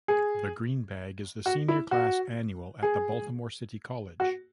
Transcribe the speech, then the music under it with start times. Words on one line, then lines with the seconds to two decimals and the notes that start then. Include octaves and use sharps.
"The Green Bag" is the senior class annual at the Baltimore City College.
0.08 G#4
1.46 F#4
1.68 E4
1.91 F#4
2.83 G#4
4.20 F#4